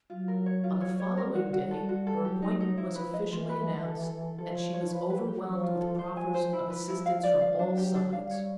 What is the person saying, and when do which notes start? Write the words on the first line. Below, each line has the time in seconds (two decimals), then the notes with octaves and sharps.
On the following day her appointment was officially announced, and she was overwhelmed with proffers of assistance from all sides.
0.10 F#3 F4
0.28 A#4
0.46 C#5
0.64 F4
0.81 C#5
1.00 C#5
1.17 G3 A#4
1.35 F#4
1.53 F#4
1.71 G3 A4
1.89 F#4
2.07 A4
2.24 F#3 G4
2.42 D#4
2.61 D#4
2.77 F3 E4
2.95 B4
3.14 D#5
3.31 E3 F4
3.49 B4
3.67 D#5
3.85 A4
4.03 A4
4.20 A4
4.38 F3 A4
4.56 C#5
4.74 C#5
4.92 B4
5.10 B4
5.27 G4
5.45 F3 C#4
5.63 F4
5.81 A4
5.99 F3 C5
6.17 G#5
6.34 C5
6.52 F3 E4
6.70 B4
6.88 E4
7.06 F5
7.23 D5
7.41 F5
7.59 F#3 D4
7.77 G4
7.95 D4
8.12 G3 F5
8.31 C#5